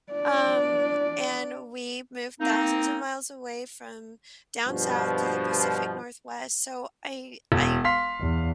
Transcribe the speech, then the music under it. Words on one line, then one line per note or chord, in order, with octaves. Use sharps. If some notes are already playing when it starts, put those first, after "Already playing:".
um, and we moved thousands of miles away from down south to the Pacific Northwest. So I I
D4 D5
A#3 C4 D#4
G2 B2 F3
E1
F5 C6 B6
E2